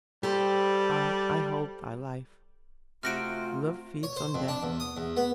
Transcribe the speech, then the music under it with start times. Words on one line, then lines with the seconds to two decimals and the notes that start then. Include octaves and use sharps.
I hold thy life! Love feeds on death.
0.23 G3 G4 A4 C5
3.03 C3 A3 F4 F#4 G5 F6 A#6 D7
4.03 C#5
4.17 C5
4.34 F2
4.48 D4
4.63 E2
4.80 D#6
4.97 E2
5.17 B3